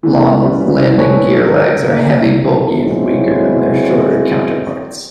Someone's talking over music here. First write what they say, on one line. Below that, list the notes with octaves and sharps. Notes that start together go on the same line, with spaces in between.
Long landing gear legs are heavy, bulky, and weaker than their shorter counterparts.
E3 A3 B3
G3 C#4 E4 B4
A#1 A3 B4 C#5 G#5 A5
A#4
A3 A#3 D5 E5
F#3 G#3 B3 C4 E4 C#5